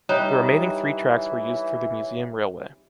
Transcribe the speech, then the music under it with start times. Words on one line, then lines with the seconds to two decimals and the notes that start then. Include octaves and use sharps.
The remaining three tracks were used for the museum railway.
0.09 E3 G3 D#4 C#5